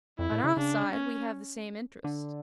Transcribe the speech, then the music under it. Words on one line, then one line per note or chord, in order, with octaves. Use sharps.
On our side we have the same interest.
F2 E4
A2
C#3
C#3 D4
C#4
D3